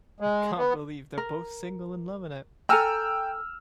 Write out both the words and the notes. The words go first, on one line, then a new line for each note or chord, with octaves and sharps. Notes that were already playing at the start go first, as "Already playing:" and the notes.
I can't believe they're both single and loving it.
G#3
B3
A#4
A4 G5 G#5 A#5 E6 F6